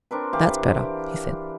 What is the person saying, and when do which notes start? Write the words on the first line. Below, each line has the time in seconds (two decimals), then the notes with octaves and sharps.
"That's better," he said.
0.11 C4 D4 A#4 B4
0.33 E3 G4 F5